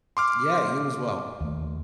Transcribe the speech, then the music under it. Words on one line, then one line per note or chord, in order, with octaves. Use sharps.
Yeah, you as well.
C6 D6 F6
D#2 A3